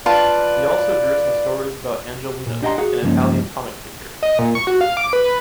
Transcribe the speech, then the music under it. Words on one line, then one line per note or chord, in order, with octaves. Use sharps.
He also drew some stories about Angelino, an Italian comic figure.
F4 B4 D5 A5
A#2
D4 G4 D#5 F#5 A#5 C6
F#4 G#4 F5 F#5
C#2 G2 F3 A#3 C#4 D#4
D#5
A#2
C#6
F#4
F5
D6
B4